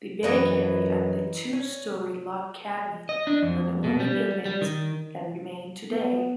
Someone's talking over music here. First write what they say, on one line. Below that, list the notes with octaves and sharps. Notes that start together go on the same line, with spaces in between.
The bakery and the two-story log cabin are the only buildings that remain today.
F#2 E3 D#4 B4
C#4
D#5
D4
F2
B2
G3
G3
D#3
B3